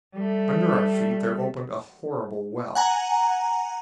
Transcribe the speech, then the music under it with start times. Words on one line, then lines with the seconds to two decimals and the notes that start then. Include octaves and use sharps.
Under our feet there opened a horrible well.
0.14 G3 A3
2.75 F#5 G#5 A#5